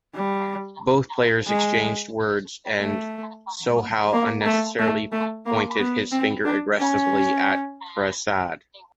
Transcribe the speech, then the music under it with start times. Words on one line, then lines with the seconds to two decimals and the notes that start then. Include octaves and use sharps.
Both players exchanged words, and Sohail unnecessarily pointed his finger aggressively at Prasad.
0.14 G3
1.47 G#3
2.80 A3
4.13 A#3
4.45 A3
4.79 A3
5.12 A3
5.46 A#3
5.78 B3
6.11 C4
6.44 D4
6.78 C#4